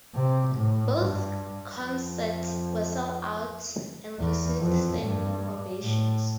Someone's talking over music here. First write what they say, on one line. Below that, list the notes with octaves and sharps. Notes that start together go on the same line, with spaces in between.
Both concerts were sell-outs and received standing ovations.
C3
A2
G2
F2
E2
F2
G2
A2